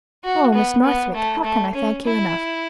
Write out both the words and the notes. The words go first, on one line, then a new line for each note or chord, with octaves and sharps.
Oh, Miss Northwick, how can I thank you enough?
F#4
B3
B3
A3
A3
C#4
E4